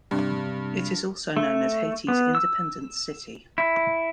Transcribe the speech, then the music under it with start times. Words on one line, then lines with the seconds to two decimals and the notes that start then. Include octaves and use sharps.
It is also known as Haiti's "independence city".
0.11 G2 C3 G3
1.37 A3
2.08 B3
2.35 E6
3.58 E4